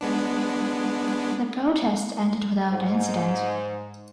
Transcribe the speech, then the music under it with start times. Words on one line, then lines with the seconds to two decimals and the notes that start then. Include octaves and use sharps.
The protest ended without incident.
0.01 G#3 B3 D4
2.71 G#2